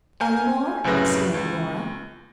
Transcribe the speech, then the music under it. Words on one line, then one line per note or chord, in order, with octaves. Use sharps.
"Eleanor?" exclaimed Nora.
G#5 F6 G6
C2 F#2 A2 C#3 B4 A#6
C#2